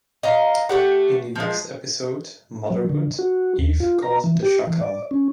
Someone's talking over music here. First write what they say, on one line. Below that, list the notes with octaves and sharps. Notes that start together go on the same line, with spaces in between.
In the next episode "Motherhood", Eve caught the Chakram.
D#5 F5 A#5
A3 G4 F#5
F3 G#3
F#3
D3
F#4
D#2
F4
A#5
E3
G4
E3
D5
C#4